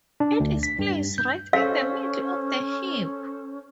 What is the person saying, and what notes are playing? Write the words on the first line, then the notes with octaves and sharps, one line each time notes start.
It is placed right in the middle of the heap.
D4
D2
B6
G2
G6
C#4 A4 C5 F5